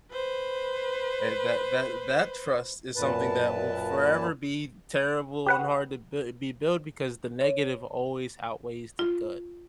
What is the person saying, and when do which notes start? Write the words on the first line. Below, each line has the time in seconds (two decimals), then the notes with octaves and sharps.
and that that that trust is something that will forever be terrible, and hard to b be built because the negative always outweighs the good.
0.11 B4 C5
2.96 F#2 A#2 B4 A5
5.46 G4 B4 F#5
7.41 C#5
8.99 F4